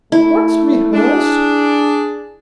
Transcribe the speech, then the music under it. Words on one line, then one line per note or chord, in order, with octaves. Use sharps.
"What's rehearse?"
A3 E4
D4 G#4